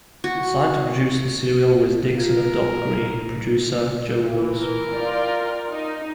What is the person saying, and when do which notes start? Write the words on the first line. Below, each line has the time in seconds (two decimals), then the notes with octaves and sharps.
Assigned to produce the serial was "Dixon of Dock Green" producer Joe Waters.
0.24 F#4
2.17 F4 A#4
4.28 E3
4.58 A#4
4.93 F4 D5 G5
5.70 D#4